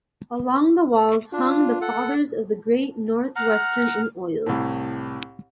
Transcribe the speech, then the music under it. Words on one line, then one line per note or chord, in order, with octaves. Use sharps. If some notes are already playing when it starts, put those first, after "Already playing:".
Along the walls hung the fathers of the Great Northwestern in oils.
D4 F4
A4 F#5
F#5 A#5 F6
C2 A2